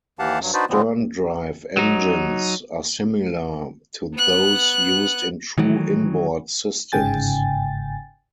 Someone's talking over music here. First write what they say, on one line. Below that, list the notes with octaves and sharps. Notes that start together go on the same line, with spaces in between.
Sterndrive engines are similar to those used in true inboard systems.
D#2 E3 G4 F5 F#5 A5
G2 F#3
D4 D#4 F#4 B4 C5 D5
A#2 D3 F3 G#3 B3 C4
F#3 D#4
B3 F#6
D#3 E3 F#3
G1 G#2 C#3 G5 G#5 A6